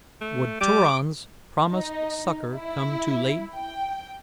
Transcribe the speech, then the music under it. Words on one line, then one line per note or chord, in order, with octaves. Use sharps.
Would Turan's promised succor come too late?
A3
G3 D6
D#4
E4
G5